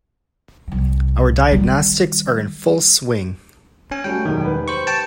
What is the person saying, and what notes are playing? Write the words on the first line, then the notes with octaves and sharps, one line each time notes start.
Our diagnostics are in full swing.
C2 F3
D#3 G3
C#4 G#5
G3 A3 F#4 G5
E1 F#2 D#3
G4 B4
C5 C#6
G5 A5